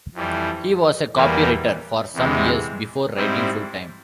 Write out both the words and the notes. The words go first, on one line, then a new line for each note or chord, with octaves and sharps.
He was a copywriter for some years before writing full-time.
F2 E3 G3
E2 E3 G3 A#3
E2 C3 E3 G#3
G#2 G3 C4 E4